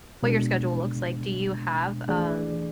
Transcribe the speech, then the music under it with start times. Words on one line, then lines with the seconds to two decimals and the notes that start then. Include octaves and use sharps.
what your schedule looks like. Do you have, um,
0.23 B2 G#3 D4
2.08 E3 A3 D4 G#4 D5